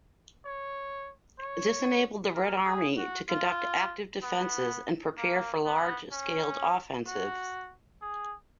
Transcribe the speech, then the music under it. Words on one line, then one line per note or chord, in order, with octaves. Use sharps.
This enabled the Red Army to conduct active defenses and prepare for large-scaled offensives.
C#5
C#5
A#4
G#4
F#4
F4
B3
A#3
B3
C#4
F#4
G#4